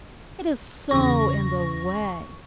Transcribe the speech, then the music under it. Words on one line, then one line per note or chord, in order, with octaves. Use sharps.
It is so in the way!
E2 C#3 C#6 A#6